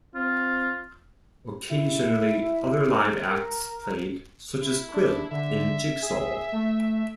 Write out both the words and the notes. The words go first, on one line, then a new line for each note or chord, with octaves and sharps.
Occasionally other live acts played such as Quill and Jigsaw.
C4 F4
E4
A#4
E4
D4
D3 E5
G#4
A3